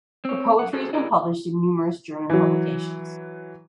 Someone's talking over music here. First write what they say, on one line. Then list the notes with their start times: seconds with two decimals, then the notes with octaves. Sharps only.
Her poetry has been published in numerous German publications.
0.25 C4 C#5
0.59 F#2 F#5
0.73 C#4 F#4 G#4 A4 C5
0.93 E4 G4 G#4 A#4 D5 D#5
2.30 E3 F#3